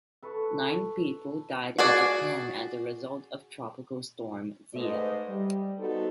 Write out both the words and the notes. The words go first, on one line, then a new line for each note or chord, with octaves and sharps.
Nine people died in Japan as a result of Tropical Storm Zia.
A4 B4 A5 C#6
F#4 G#4 D5
G#2 A3 B4 C5 D5 D#5
G3
B3 D#4 F#4 A4 C5